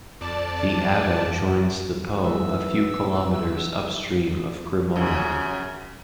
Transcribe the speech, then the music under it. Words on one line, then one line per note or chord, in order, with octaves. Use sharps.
The Adda joins the Po a few kilometres upstream of Cremona.
F2 D5 A5
E3 F#3 G#3 B3 D#4 E4 E6
F#2 C#3